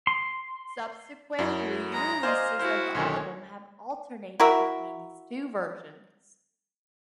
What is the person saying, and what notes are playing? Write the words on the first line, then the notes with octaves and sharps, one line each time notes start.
Subsequent re-releases of the album have alternated between these two versions.
C6
F#2 F#3 E4 A5
G#3 A#5
C5 D5 D#5 F5 G#5 C6 D#6
E4 F#4 C5
B1 D3 D#3 A3 C#4 G#5 C6
E4 F#4 A#4 E5